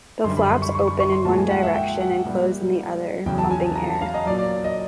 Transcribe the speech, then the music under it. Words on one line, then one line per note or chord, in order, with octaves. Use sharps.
The flaps open in one direction and close in the other, pumping air.
F#2 D3 G3 C6
B5
C6
C#6
C#6
C#6
C#6
C6
A#2 F3 G#3 A5
G#5
F#5
E5
G5
F#5
A#2 G3
E2 C#3 F#3 G5
A5
G#5
A5
A#5
A5
F5
D#5
A#2 F#3 D5
D5
D5
D#5